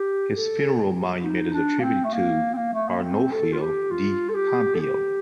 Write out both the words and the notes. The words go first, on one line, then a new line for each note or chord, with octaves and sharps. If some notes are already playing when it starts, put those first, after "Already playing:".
His funeral monument is attributed to Arnolfo di Cambio.
Already playing: G4
A4
D#4
D4
A#3
C4
A3
A#3
C4
A#3
A3
A#3
C4
A4
F4
G4
F4
A4
G4
A4
G4